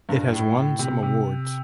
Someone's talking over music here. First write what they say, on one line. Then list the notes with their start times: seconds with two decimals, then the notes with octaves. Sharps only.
It has won some awards.
0.09 G2
0.32 A2
0.55 A2
0.79 C3
1.03 C3